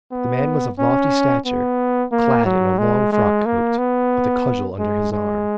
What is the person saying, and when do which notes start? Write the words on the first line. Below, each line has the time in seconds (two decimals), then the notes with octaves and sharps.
The man was of lofty stature, clad in a long frock-coat, with a cudgel under his arm.
0.12 B3
0.79 C#4
1.46 B3
2.12 A#3
2.46 F#3
2.79 G#3
3.13 G#3
3.46 A#3
3.78 B3
4.79 G#3
5.12 G#3